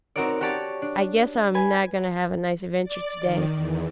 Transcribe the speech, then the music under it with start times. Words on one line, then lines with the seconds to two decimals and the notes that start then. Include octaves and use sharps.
"I guess I am not going to have a nice adventure today."
0.16 C4 D#4 F#4 A#4 C#5 D5
0.41 F#4 G4 C#5 D5 A5
0.82 D4
1.54 B4 G#5
2.83 D5
3.22 D#3
3.55 E2